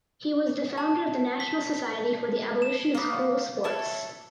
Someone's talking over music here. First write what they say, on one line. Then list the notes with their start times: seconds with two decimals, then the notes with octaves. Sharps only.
He was the founder of the National Society for the Abolition of Cruel Sports.
0.78 A5
1.40 B6
2.62 E7
2.94 A#3 B3
3.64 E4 A4 C#5